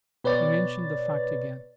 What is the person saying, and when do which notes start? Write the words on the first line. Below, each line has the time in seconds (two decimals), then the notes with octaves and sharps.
He mentioned the fact again.
0.24 B2 B4 C#5 D5 A6